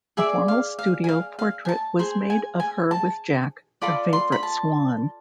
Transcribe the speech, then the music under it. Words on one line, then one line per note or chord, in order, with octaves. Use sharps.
A formal studio portrait was made of her with Jack, her favorite swan.
G#4 D5 E5
F5
F5
G#5
F5
F5
G#5
A5
G#4 C5 G#5
G#5
G#5
A5
F4 A4 D5 B5
C6
B5
A5